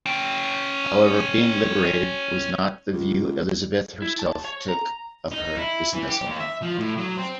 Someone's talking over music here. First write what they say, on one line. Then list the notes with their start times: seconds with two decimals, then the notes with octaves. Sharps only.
However, being 'liberated' was not the view Elizabeth herself took of her dismissal.
0.06 C#4 G5
2.93 C#2
4.02 E4
4.19 A5
4.45 C#5
4.68 A#5
5.31 D#4
5.57 E4
5.94 E3
6.09 G4
6.27 D#2
6.40 E5
6.62 F3
6.78 A2
6.97 F#3
7.17 C4